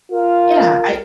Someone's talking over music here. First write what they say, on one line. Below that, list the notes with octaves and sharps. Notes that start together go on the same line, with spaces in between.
Yeah, I
F4 A#4